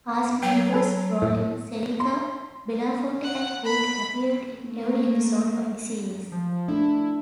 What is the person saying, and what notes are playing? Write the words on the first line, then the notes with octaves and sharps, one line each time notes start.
Cast members Brolin, Sellecca, Belafonte and Cook appeared in every episode of the series.
F#3 G5
A4 B4 G#5
A2
C6
F#5
B5
A3 A#3
F3
A3 D4 E4